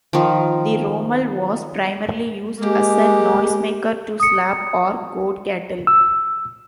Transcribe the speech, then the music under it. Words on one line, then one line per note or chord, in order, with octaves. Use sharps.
The "romal" was primarily used as a noisemaker to slap or goad cattle.
D#3 F3
G#3 A#3 G4
D#6 C#7
E6